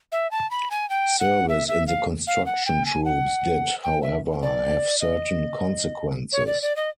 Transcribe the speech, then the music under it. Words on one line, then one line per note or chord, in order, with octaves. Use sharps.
Service in the construction troops did, however, have certain consequences.
E5
A5
B5
G#5
G5
F#5
E5
E5
F5
F5
F#5
G5
G#5
F#5
G5
E5
D5
D#5
C#5
D5
D5
D#5